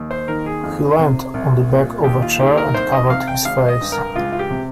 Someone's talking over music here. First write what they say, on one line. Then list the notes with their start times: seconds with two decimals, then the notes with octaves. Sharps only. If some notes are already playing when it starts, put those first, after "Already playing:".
He leant on the back of a chair, and covered his face.
Already playing: D#2
0.11 C5
0.28 D#3 A#4
0.46 G#4
0.64 F2
0.99 C3
1.34 C2
1.69 A#2
2.04 D#2 G4
2.22 F4
2.40 D#3 G4
2.58 A#4
2.74 C2 C5
2.92 D#5
3.10 C3 F5
3.27 G5
3.45 G#1 F5
3.68 D#5
3.81 G2
3.92 A#4
4.15 C#2 F4
4.32 F4
4.39 G4
4.50 C3